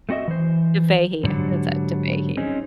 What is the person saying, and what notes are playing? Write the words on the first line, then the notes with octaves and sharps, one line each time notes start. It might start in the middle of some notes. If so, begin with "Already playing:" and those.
Dhivehi, that's it, Dhivehi.
A3 C4 F#4 D#5 E5
E3 C5
G#2 D3 F#3 G3
C4 C#4 D#4 G#4